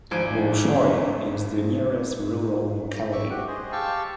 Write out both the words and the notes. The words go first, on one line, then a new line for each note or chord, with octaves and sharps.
Bolshoye is the nearest rural locality.
G#1 F3 A3 D4 D5 G#5
E5 C#6 D6
F#4 G4
G#4 C5 D#5
G4 F5 G5 A5 C#6 E6